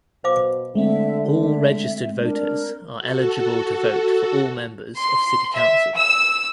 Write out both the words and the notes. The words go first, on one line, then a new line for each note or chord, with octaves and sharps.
All registered voters are eligible to vote for all members of City Council.
B2 C5 F5 D6
D3 G#3 A3 C4 E5
E5
D4 A#4
F#4 A4
C6
E5
E6